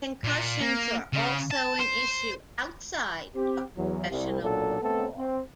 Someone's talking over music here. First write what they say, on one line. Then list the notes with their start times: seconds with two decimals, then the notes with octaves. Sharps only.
Concussions are also an issue outside of professional football.
0.24 A#2
0.61 A#3
1.13 C#3
1.51 A5
1.79 C5
3.36 C4 G4
3.77 E2 F#3
4.09 C2
4.42 B1 A#2 F#3 D4 A4
4.81 A3 B3 C4 A4
5.17 C4